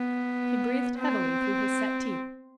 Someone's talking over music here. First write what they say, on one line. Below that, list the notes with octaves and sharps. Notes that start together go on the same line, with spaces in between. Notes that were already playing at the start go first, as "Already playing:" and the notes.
He breathed heavily through his set teeth.
Already playing: B3
C4